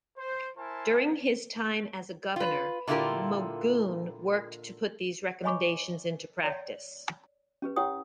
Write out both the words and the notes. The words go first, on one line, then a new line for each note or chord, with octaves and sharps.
During his time as a governor, Magoon worked to put these recommendations into practice.
C5
E4 A#4 C5 G#5 A5 C6
F4 B4
A#2 D3 E4 F4 G4 A#4
C#5 D#5 G#5 B5 C#6 D6
C#5 D5
C#4 G4 B4
E4 G4 C#5 F#5 G5 D#6